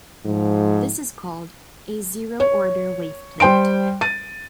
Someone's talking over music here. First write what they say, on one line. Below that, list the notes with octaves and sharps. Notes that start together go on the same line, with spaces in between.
This is called a "zero-order waveplate".
G#2 F3
C#5
G3 C5 G5 C6 D7
A6 D#7